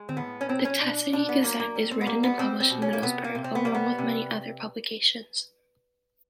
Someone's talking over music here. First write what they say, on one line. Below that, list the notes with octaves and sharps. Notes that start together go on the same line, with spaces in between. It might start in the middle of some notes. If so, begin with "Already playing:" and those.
The Teesside Gazette is written and published in Middlesbrough, along with many other publications.
Already playing: G#3
C4
A2 B3
C#4
B2 C4
C#4
B2 D4
B2 D4
B3
F#3 A#3
A#3
G3
C4
B3
G3 A#3
B3
G3 C4
C4
B2
C#4
A#3
C3 B3
A#3
C3
C4
B3
G3 A#3
B3
C3